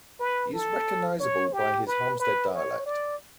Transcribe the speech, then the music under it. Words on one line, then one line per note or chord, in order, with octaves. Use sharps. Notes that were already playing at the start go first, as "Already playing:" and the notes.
He is recognizable by his Halmstad dialect.
B4
A4
C#5
G4
B4
B4
C#5
D5